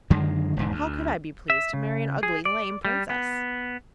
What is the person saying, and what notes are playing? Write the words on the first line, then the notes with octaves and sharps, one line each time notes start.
'How could I be pleased to marry an ugly, lame Princess?'
F#2 D3 D#3 G#3
E1 G#2 D3
D2
E5
C#3
G#4
D5
G3
B3